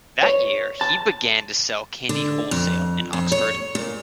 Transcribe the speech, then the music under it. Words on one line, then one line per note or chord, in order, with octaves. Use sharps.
That year he began to sell candy wholesale in Oxford.
C#5
A5
D3
F2
F2
C#5
A#2